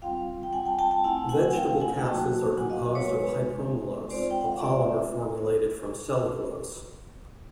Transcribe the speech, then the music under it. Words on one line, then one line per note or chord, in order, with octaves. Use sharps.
Vegetable capsules are composed of hypromellose, a polymer formulated from cellulose.
G3 C4 F4 F5 G5
G5
F#5 G#5
G5 A5
G5 A5
G5 A5
A3 C4 E4 F#5 G#5
F#5 G#5
F5 G5
F#5 G#5
F#3 A#3 D#4 F#4 G5 A5
F#5 G#5
D#5 F5
E5 F#5
B4 C#5
G#3 B3 D#4
G#3 C4 F4 C5 D5
G5
F#5
F5
D5 E5